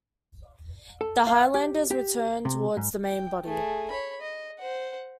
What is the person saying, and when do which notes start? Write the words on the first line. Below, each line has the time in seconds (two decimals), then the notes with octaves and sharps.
The Highlanders returned towards the main body.
1.01 A4
1.27 F5
1.54 G4
1.91 G4
2.45 C3
2.77 G#2
3.04 G5
3.44 A3 G#4
3.90 C#5 B5
4.21 D#5
4.59 C5 F#5